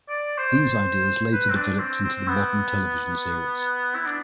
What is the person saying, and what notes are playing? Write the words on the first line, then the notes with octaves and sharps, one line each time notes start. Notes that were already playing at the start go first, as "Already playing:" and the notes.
These ideas later developed into the modern television series.
D5
C5
B4
C4
D4
C4
C4
B3
E4
D4